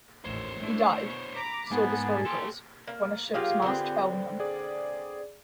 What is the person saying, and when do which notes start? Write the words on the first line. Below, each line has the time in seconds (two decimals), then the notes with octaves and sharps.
He died, so the story goes, when a ship's mast fell on him.
0.24 A1 D#2 G#2 C5 C#5
0.59 A3 D4 E4
1.03 B2
1.33 A#5 B5 D6
1.71 G#2 A#3 B3 G#4 A5
2.25 G4 A4 C6
2.87 A#3
3.34 F#3 A#3 F4 G4 G#4 F5
3.62 D3 B3 C4
4.40 G#4 D5